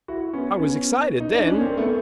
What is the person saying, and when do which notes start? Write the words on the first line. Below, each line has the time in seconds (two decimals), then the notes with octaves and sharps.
"I was excited then."
0.08 E4 F#4
0.33 B3 C#4
0.59 B3 C#4
1.20 D#4
1.34 D4
1.47 C#4
1.61 A#3 C4
1.77 A3 B3